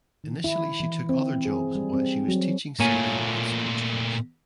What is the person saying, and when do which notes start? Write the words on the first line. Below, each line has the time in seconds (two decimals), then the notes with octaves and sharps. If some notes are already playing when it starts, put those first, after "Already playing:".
Initially she took other jobs while she was teaching skating in sports clubs.
0.24 D#3
0.44 E4
0.80 E3
1.09 C4
1.45 G#4
1.75 G3
1.93 C4
2.28 F#3
2.80 A#2 A3 A#3 C#5 G#5